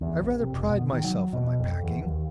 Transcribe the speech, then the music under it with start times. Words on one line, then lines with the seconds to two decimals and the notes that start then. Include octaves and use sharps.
I rather pride myself on my packing.
0.01 E2
0.20 A#1
0.40 C3
0.54 F1
0.69 B2
0.93 D#3
1.04 F#3
1.33 B2
1.59 F2
1.84 E2
2.04 D#2